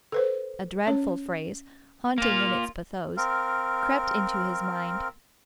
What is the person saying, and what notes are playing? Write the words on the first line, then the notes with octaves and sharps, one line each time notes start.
A dreadful phrase, haunting in its pathos, crept into his mind.
A4 B4 C5
C#4 C#5
A#3 F4
C4 A#4 F5